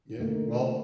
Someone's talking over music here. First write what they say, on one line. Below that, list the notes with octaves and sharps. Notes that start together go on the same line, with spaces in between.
Yeah, well,
D3 A3 A#3 D#4